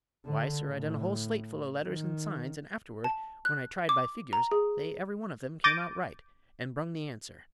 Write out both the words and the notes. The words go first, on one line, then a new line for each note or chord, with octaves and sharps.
Why, sir, I done a whole slate full of letters and signs; and afterward, when I tried by figures, they every one of them came out right and brung the answer!
D3
A2
D#3
A5
F#6
D6
A#5
G#4
D6 G6 A6 A#6 D7 D#7